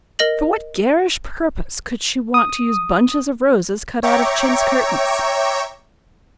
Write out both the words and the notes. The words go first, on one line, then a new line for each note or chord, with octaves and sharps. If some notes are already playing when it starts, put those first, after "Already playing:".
For what garish purpose could she want to use bunches of roses cut out of chintz curtains?
A#4 D#5 A#6 F#7
D#6
C#5 E5 G5 A#5 C#6 D6